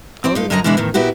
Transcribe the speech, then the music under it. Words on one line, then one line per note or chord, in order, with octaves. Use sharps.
Oh, yeah.
C4 C5 D5
G2 D#4 F4
F#2 D3 C#5 D#5 G#5 A#5
B2 E3 G#3 B3 D4 E4
E2 A2 D#3
A#2 B3 E4 F#4 G4